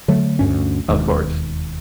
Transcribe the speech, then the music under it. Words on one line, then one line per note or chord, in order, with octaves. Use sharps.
Of course.
D3 F#3 A3
D2 G2 C#4
E1 D#2